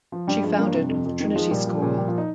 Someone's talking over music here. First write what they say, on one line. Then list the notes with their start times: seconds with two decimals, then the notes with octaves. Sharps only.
She founded the Trinity School.
0.12 F3
0.27 G2 G3
0.43 F3 G#3
0.58 G2 A#3
0.74 C3
0.89 F2
1.05 F2
1.20 D#3
1.36 F3 G#3
1.51 A#2 G3
1.66 F3
1.82 A#2
1.97 F3 G3
2.08 F3
2.18 D#4